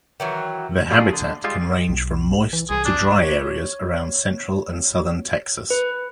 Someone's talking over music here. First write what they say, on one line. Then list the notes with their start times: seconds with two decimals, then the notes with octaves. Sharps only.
Their habitat can range from moist, to dry areas around central and southern Texas.
0.20 D#3 E3 F#3
0.91 A#2 F3 F#3 A3 F4 G#4
1.13 D3
1.44 G3 G#3 F4
1.89 B1
2.53 E3
2.70 C2 G#4
2.85 D4
3.23 C#5
5.70 B4